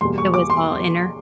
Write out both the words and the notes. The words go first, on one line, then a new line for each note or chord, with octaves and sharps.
It was all inner?
E2 B2 G3 A#3 C6
C#6
D6
C6